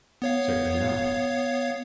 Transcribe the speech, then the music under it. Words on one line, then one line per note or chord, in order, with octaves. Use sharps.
Certainly not.
B3 C#5 F5